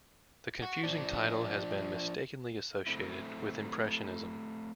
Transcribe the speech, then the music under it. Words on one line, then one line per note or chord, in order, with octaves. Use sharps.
The confusing title has been mistakenly associated with impressionism.
F#4
F3 D4
A3 C4 E4